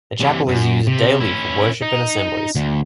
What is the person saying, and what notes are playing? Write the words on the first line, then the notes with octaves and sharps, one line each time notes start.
The chapel is used daily for worship and assemblies.
C3 E3
F#2
C3
C#4 E4
D#4
D2